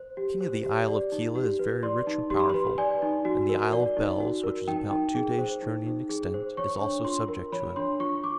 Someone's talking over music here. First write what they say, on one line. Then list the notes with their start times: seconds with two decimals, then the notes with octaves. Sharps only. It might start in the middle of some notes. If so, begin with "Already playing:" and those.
The king of the Isle of Kela is very rich and powerful, and the Isle of Bells, which is about two days' journey in extent, is also subject to him.
Already playing: C5
0.17 G4
0.41 C5
0.64 G4
0.88 D5
1.12 D#4
1.35 G4
1.59 B4
1.83 D5 C6
2.07 D#4
2.30 G4 C6
2.40 B5
2.50 B4 C6
2.78 D5 G#5
3.02 D#4
3.25 F#4
3.49 A#4
3.73 D5
3.97 D#4
4.20 F#4
4.43 A#4
4.68 D#4 G5
4.91 D#4
5.15 G#4
5.38 C5
5.62 D#4
5.87 D#4
6.09 G#4
6.34 C5
6.57 C#5 C#6
6.81 D4
7.05 F4 C6
7.28 A#4
7.52 C#5 B5
7.76 D4 C6
8.00 F4 C#6
8.24 D6